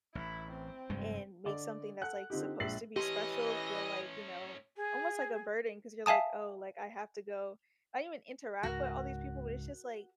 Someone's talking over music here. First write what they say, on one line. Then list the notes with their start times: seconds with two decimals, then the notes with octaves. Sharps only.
and make something that's, like, supposed to be special feel like, you know, almost like a burden 'cause you're like, "Oh, like, I have to go." I don't even interact with all these people, but it's just, like,
0.15 A1 E4
0.51 C4
0.90 F1 G2 G#3
1.45 D3 D5 D#5
2.01 A4 F#5 F#6
2.30 D3 C4 D#4 F4 G4
2.60 A#1 G#3 E5 A6 C7 F#7
2.96 E3 A3 C#4 G4 D#5 C6
4.76 G#4
6.06 E5 F5 G#5 A5 D#6
8.63 C#2 G#2 C#3 F#4 A#4